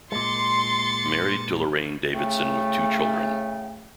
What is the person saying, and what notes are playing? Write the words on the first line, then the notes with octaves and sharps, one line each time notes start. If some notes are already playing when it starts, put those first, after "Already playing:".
Married to Lorraine Davidson with two children.
A#2 G#3 C6 A6 C#7
A2 C#3 A3 G5